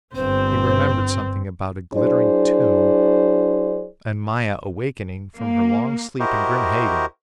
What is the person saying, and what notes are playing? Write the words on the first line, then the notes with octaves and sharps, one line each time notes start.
He remembered something about a glittering tomb and Maya awakening from her long sleep and Grim Hagen.
G1 G2 C4 C5
F#3 D4 E4 G#4 C5 D5
A#3
E4 F#4 G4 A#4 C5 D#5